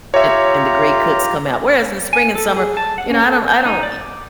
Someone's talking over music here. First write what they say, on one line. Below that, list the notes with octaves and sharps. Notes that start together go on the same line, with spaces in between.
the and the great cooks come out. Whereas in the spring and summer, you know, I don't I don't e
F4 G4 C#5 E5 A#5
G#5
A4
G#4
A5
F#5
C#4
A4
G6
D#4
D5
D6